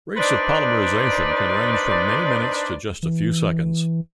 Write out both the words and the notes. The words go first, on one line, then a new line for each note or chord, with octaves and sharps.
Rates of polymerization can range from many minutes to just a few seconds.
D4 D#4 B4 C5 D5
E3